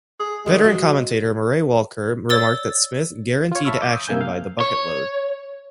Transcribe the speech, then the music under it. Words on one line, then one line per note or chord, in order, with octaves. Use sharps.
Veteran commentator Murray Walker remarked that Smith "guaranteed action by the bucket-load".
G#4
D3 D#3 G3 G#3
F#3
C#5 D5 E6 A6 G7
F4 C#5
E5 A5 B5 C#6 E6 F6
D6 G6
D#6 E6
C3 A#3 E5 G#5 G6
F5
C#5